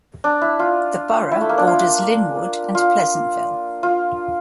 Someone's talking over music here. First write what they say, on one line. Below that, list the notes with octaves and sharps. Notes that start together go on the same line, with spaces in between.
The borough borders Linwood and Pleasantville.
D4
E4
F4
E4
A3
A#3
D4
F4
F4
F4